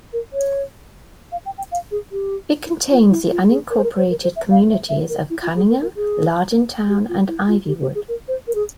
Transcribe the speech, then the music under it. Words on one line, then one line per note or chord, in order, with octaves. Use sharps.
It contains the unincorporated communities of Cunningham, Lardintown, and Ivywood.
A#4
C#5
F5
G5
G5
F5
G#4
G4
F4
E4
F4
G#4
A#4
C5
A#4
C5
A#4
C5
E5
F5
E5
E5
A#4
E4
F4
G#4
A#4
A#4
G#4
G4
F4
E4
F4
G4
G4
G#4
A#4
C5
A#4
G#4